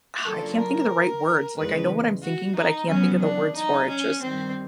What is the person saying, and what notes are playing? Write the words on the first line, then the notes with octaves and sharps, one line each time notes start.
Ah! I can't think of the right words, like, I know what I'm thinking, but I can't think of the words for it, just
C#3 F#3 A#3 D4 F4 A4
A#4
E2 C#3 E3 G#3 B4
F#4
D#4
E2 C#3 F#3 B3 C#4
D4
D#4
C#4
G2 D#3 G3 C4